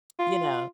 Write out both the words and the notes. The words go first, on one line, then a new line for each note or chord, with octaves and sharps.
you know,
F4